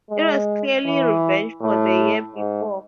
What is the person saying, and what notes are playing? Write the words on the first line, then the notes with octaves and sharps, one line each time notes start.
It was clearly revenge for the year before.
G#3
E3
A2
G#2